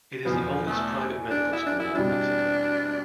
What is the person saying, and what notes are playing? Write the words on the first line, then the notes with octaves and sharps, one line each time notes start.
It is the oldest private medical school in Mexico.
E2 B2 F3 B3
A3
D4
E4
D4
E4
B2 G3 C4 D4 E4